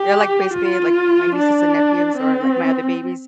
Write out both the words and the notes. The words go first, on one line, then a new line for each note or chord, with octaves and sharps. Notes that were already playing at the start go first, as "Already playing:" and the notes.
they're, like, basically, like, my nieces and nephews or, like, my other babies.
Already playing: G4
F4
D4
C4